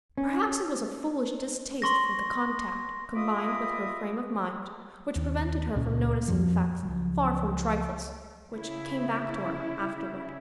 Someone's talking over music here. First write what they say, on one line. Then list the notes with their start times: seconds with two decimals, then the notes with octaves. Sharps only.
Perhaps it was a foolish distaste for the contact, combined with her frame of mind, which prevented her from noticing facts far from trifles, which came back to her afterward.
0.18 C#4
1.82 C6 C#6 A#6
3.15 F4 D#5 E5 B5 D6 D#6
5.16 D#2
5.76 C#2 A#2 C#4
6.28 F2 F3
6.83 C#2 F3 F#3
8.52 C#3 E4